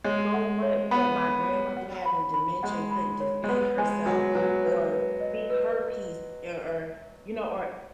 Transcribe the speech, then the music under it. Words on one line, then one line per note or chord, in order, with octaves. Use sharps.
so much that my grandmother having dementia and couldn't defend herself or speak her piece or or, you know, or
G#3 C#5
F#5
C#5
B3 B5
B5
C#5
F#5
B5
B5
G#3 F#5
B5
C#5
G#3
B3 B4
G#3 G#5
F#3 G#5
F#3 B4
B4
B4
D#5
B4